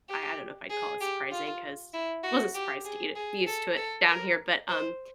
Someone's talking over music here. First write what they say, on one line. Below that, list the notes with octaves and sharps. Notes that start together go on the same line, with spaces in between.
I I don't know if I'd call it surprising, 'cause wasn't surprised to eat it used to it down here, but, um,
G4
G#4
G4
F4
E4
F#4
G4
G#4
G#4
A4
A4
A#4
C5